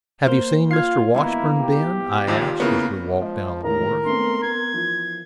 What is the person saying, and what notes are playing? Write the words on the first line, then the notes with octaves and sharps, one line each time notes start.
"Have you seen Mr. Washburn, Ben?" I asked, as we walked down the wharf.
A#3 C5
F4 F5 G#6 C7
G#2 B2 E3 A#3 E4
G4
A#1 D#2 A#2 F4
C#3 A#3 B3 E4 C#5
F3 G#3 D#5
A2 D#3 G#3 A#4 A#5
A3 B3 C4 C6
B3 G#6
E3 F3